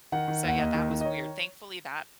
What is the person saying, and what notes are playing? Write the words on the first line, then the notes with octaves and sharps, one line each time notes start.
So, yeah, that was weird. Thankfully, that
D#3 F#5
D#3
D#2
F#5
D#2 D#5
D#3
D#3
D#5
C#5